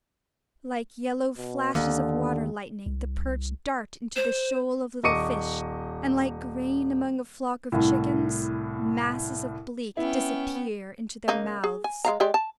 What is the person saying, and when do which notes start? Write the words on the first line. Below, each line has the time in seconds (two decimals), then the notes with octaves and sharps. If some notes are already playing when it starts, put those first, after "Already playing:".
Like yellow flashes of water-lightning the perch dart into the shoal of little fish, and like grain among a flock of chickens, masses of bleak disappear into their mouths.
1.37 B2
1.75 D#2 D3
2.86 C2
4.16 C5
5.04 D#1 D#5 C#6 D6 C#7 D#7
7.72 C2 A2
9.97 B3 C#4 E4 G5
11.28 C#3 A#3 D#4
11.64 G#4
11.84 G#5
12.05 G#3 F5 A#5
12.20 G#3 G4 D5
12.34 A5